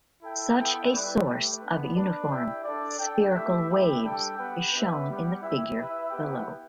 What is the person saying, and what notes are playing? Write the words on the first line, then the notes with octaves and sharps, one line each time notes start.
Such a source of uniform spherical waves is shown in the figure below.
E4 A4 G5
B3 E4 A4 E5 G5
G3 E4 B4 D5 G5
A3 G4 B4 G5
B3 D4 B4
D4 B4 D5
E4 G4 E5 G5
D4 A4 D5
D4 A4 G5
A3 E4 G4 E5
A3 E4 G4 B4 G5
G3 D4 A4 G5
B3 G4 B4 G5
B3 D4 G4 B4 E5
G3 B3 G4
E4 G4 E5 G5
E4 B4 E5
B3 E4 G4 B4 G5